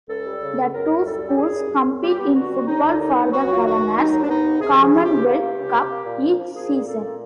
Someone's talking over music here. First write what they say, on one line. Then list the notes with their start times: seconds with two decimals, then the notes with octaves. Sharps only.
The two schools compete in football for the Governor's "Commonwealth Cup" each season.
0.09 C#2 A4
0.25 G3
0.41 C#3
0.58 C#2
0.73 F#2 A#4
0.89 F#2
1.05 G3 A4
1.22 F#2
1.29 G4
1.37 G3 G#4
1.54 F#2
1.70 F#2
1.86 F#2
2.03 G3 G4
2.19 B3
2.34 D3 F#4
2.51 G3
2.67 D#2 D#4
2.83 D3
2.99 D#2 D#4
3.15 B3
3.31 F#3 F#4
3.47 F#3
3.52 F4
3.63 D#3 F#4
3.80 D#3
3.96 F#3 D#4
4.12 D#2
4.23 D4
4.28 B3 D#4
4.44 D#2
4.60 C3 G#4
4.76 F3
4.82 G#4
4.92 C3
5.03 G4
5.09 C#2
5.25 A#3 G4
5.41 C3
5.58 C#2
5.74 C3
5.90 A#3
6.06 A#2
6.22 F3
6.39 F3
6.54 A#3 G#4
6.71 A#2
6.86 A#3 A4
7.03 A#2